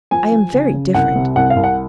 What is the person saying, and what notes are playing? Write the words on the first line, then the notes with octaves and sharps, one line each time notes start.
I am very different!
F3 G#5
F3
C#3
C#3
C2 F#5
C3
C2 F#5
F5
C2
F#5